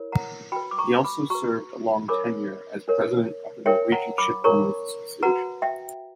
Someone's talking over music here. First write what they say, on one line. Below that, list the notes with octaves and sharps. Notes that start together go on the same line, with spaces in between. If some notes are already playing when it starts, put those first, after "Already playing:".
He also served a long tenure as president of the Norwegian Shipowners' Association.
Already playing: E4 A#4 C#5
F#5 A#5
F#4 B4 G5 B5
D6
A#5 C#6
B5 D6
F#4 B4 A#5 C#6
D4 A#4 C#5 B5 D6
D4 A#4 C#5
D4 A#4 C#5 E5 G5
F#5 A#5
B5 D6
D4 A#4 C#5 A#5 C#6
F#4 B4 F#5 A#5
E5 G5